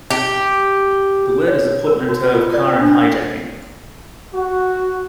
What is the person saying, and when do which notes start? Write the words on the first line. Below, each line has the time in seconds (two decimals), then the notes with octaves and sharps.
The word is a portmanteau of car and hijacking.
0.10 G4
1.48 C#5
1.87 A#4
2.09 F#4
2.34 F4
2.53 D5
2.67 G5
2.80 D4
4.34 F#4